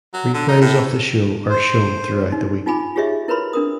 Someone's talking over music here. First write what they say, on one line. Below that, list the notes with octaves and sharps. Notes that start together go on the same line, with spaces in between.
Replays of the show are shown throughout the week.
F#3
D3
D#4
A2
C5
D#4
D#4 F4 G#5 B5 D6
F4 G4 G#4 C#5 D#5 E5
E4 A#4 B4 C#5 B5 C6
D4 A#4 D#6